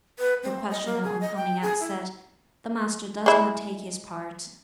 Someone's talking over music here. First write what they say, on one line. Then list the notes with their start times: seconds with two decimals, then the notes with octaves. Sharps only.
The questioner on coming out said, "The Master does not take his part."
0.19 B4
0.43 C4
0.70 D#5
0.86 A#3
1.04 G#4
1.21 D#5
1.36 G5
1.62 G#4
1.80 E4
3.26 G#3 E4